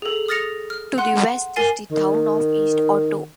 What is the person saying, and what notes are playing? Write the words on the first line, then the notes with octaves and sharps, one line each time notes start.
To the west is the town of East Otto.
G#4 A4
D#6 F6 A6 A#6 C#7 F7
F6
F#5 C6 F#6
A#4 G#5 A6 C7 D#7
D#3